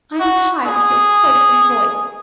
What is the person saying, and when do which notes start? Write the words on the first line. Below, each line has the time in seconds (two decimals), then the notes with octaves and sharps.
I am tired of your croaking voice.
0.20 F#4
0.66 G#4